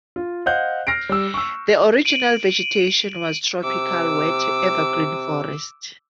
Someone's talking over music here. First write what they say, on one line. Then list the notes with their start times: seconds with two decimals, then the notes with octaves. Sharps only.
The original vegetation was tropical wet evergreen forest.
0.16 F4
0.46 C5 D#5 F5 F#5 F#6 G6
0.87 F6 A#6 C7 D7
1.09 G3 E6
1.34 C#6 E6
2.05 D7 D#7 F#7
3.64 C3 D6 E6